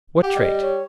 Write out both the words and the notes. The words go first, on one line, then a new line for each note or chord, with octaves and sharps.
What trait?
G4 F#5
G3 D#5
C#5